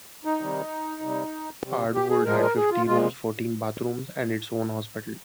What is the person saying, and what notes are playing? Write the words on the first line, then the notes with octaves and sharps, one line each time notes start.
Ardwold had fifty rooms, fourteen bathrooms, and its own hospital.
D#4
C3 D#3 G3
C3 G3
C3 G3
G4
G#4
A#2 F3 G#3 A#4
A#4
G#4
F4
A#2 F3 G#3 F4